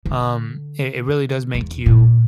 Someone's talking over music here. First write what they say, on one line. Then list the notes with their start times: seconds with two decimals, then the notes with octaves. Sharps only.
um, it it really does make you
0.06 D3
1.54 E2
1.86 A#2